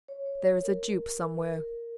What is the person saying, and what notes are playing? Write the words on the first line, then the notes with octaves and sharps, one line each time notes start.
"There is a dupe somewhere."
C#5
C#5
C#5
A#4
A#4